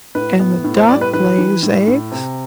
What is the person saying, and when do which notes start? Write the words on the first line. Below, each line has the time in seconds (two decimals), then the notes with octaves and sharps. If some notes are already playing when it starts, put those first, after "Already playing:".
And the Duck lays eggs.
0.15 A2 B4
0.40 B3
0.64 A2
0.76 C5
0.89 G3 D5
1.01 B4
1.13 E3 B4
1.38 E3
1.63 A2
1.87 A2
2.12 C3